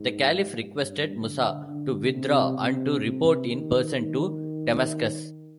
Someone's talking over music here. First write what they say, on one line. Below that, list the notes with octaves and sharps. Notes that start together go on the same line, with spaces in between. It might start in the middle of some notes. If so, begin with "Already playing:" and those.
The Caliph requested Musa to withdraw and to report in person to Damascus.
Already playing: G#2
G2
D3
D3
C3
C3
C3
D#3
D#3